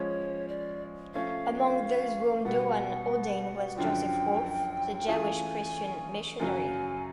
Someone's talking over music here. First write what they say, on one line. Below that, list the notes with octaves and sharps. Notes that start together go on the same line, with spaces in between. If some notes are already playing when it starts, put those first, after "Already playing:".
Among those whom Doane ordained was Joseph Wolff, the Jewish Christian missionary.
Already playing: F3 G#3 C#4 C#5
D5
F3 A3 C#4 F5
B2 G3 B3 F#5
F#2 D3 F3 G5
E3 A3 C#4 F4 G#4 G#5
F#2 C#3 F#3 G#5